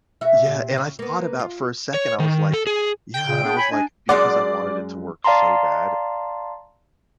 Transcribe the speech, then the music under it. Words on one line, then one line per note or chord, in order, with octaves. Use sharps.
Yeah, and I thought about, for a second, I was like Yeah. And I was like, because I wanted it to work so bad,
B2 F#4 E5
A#2 G4
C#3
A#3 B3
F4
C#5
D#3
A4
G#4
G5
A#2 C#3
B3 D4 G#4
C#5 G#5 B5
D4 D#5 G#5
F#2 G#3 D5 F#5
D5 F5 A5 A#5 C6